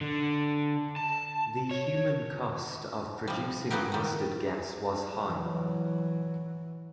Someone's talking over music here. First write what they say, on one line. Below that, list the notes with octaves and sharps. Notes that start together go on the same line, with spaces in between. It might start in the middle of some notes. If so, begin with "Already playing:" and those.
The human cost of producing mustard gas was high.
D3
A5
C#5
F3 G3
C#3 F#3 A3 B3 G4 A#4
D#3 G3
E3 F#3